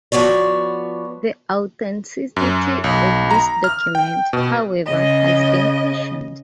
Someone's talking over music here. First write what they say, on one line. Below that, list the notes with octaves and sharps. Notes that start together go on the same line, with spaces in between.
The authenticity of this document, however, has been questioned.
F3 B3 F#4 C#5 D5
F#2
B1
A#5
F6
G5
B2
C#3 D#5